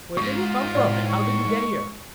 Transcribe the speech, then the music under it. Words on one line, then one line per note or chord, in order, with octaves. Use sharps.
"Where did you come from and how did you get here?"
F2 G#2 F4 G4
A2 D5
C#6
G#3